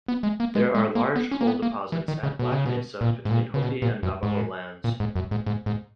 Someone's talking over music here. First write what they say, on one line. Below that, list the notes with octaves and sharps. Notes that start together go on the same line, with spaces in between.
There are large coal deposits at Black Mesa between Hopi and Navajo lands.
B3
G#3
A#3
G#3
G#3
A#3
B3
C#4
A#3
B3
A#3
E3
D#3
C#3
B2
C#3
B2
A#2
G#2
A#2
C#3
B2
A#2
F#2
G#2
A#2
G#2
F#2
G#2
G#2
G#2